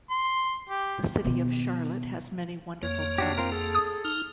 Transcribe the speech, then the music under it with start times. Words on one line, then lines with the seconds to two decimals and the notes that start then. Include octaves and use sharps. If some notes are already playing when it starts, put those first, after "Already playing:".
The city of Charlotte has many wonderful parks.
0.10 C6
0.69 G4
1.24 B2 D#3
2.83 F2 A#3 C#5
3.18 D4 F#4 G4
3.38 C4 F4 A#4
3.52 G#4 A4
3.75 D#6
4.04 D#4 F6